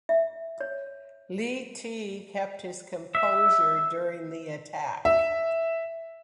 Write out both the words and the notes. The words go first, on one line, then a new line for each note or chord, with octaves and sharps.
Li Te kept his composure during the attack.
E5
C#5
E5
E5